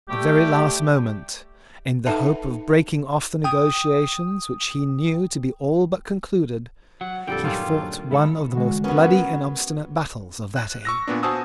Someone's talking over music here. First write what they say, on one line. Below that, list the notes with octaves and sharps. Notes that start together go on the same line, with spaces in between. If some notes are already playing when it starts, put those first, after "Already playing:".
At the very last moment, in the hope of breaking off the negotiation which he knew to be all but concluded, he fought one of the most bloody and obstinate battles of that age.
G3 A3 G4
D#4 A4 B4 E5 F#5 A5
G5 D#6
F#3 F#5
F2 A#2 D3 G3 A4 G5
G2 D#3 F#3 C#4 D4 F4
G#2 D#3 E4 A4
D3 E3 G#3 F#4
F#3 B3 C#4 A#4
F#6
C#6 E6 A#6
A#2 B3 D4
F#4 C5 G#5 A5 D#6 E6